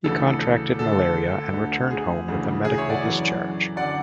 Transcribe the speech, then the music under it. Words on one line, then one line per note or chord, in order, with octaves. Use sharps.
He contracted malaria and returned home with a medical discharge.
D2 C#3 E3 A4
D2 D3 A4
D2 D3
G#4
D2 C#3 E3
G#4
C#5 E5
D5 F#5
F#2 E3
F#2 D3 D5 F#5